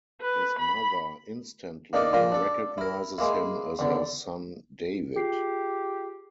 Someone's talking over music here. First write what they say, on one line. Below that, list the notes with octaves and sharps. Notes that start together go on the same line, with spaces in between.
His mother instantly recognizes him as her son David.
B4
B5
A#3 D4 D#4 A4 A#4
A#2 F3 A#3 A#4
D4 A4
E4 A#4
G#3 A#3 E4
E2 D3
F4 G4 G#4 C7